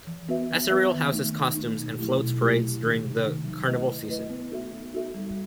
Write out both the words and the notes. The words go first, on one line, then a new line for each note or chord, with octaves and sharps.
Acireale houses costumes and floats parades during the carnival season.
E3
B3 F#4 B4 E5
E3
B3 F#4 B4 E5
D#3
A3 D#4
D#3
A3 D#4
B2
F#3 A3 E4 G4
B2
F#3 A3 E4 G4
C3
D#3 A3 D#4
C3
D#3 A3 D#4
F#3
A3 E4 B4 D#5
F#3
A3 E4 B4 D#5
B3
D#4 F#4 A4 E5
B3
D#4 F#4 A4 E5
G3